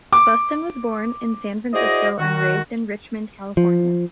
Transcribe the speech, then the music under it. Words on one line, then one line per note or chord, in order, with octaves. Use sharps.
Buston was born in San Francisco and raised in Richmond, California.
D6
E4 F#4 G#4 C5 D5 D#5
D#3 F#4
F3